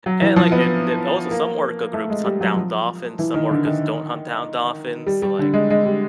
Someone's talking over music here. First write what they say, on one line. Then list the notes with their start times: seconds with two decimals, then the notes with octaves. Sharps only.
and, like, eh, d also some orca groups hunt down dolphins, some orcas don't hunt down dolphins, so, like
0.06 F#3
0.22 E3
0.36 F3
0.52 B3
1.31 A#3
1.94 A3
2.10 G#3
2.25 G3
2.41 F#3
2.56 F3
3.19 E3
3.34 D#3
3.51 D3
3.65 D#3
5.07 G3
5.22 G3
5.39 D3
5.54 G#3
5.70 G#3
5.85 G3